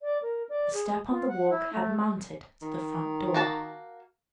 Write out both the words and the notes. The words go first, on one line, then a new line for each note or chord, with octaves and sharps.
The step on the walk had mounted to the front door.
D5
A#4
D5
G#4
F4
F#5
E4
A3
D#3
A#3 F#4 A5